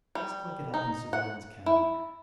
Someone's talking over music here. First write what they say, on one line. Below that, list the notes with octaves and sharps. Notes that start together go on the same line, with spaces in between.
I must look it up in Suvorin's calendar.
G3
D#4
F#5
E4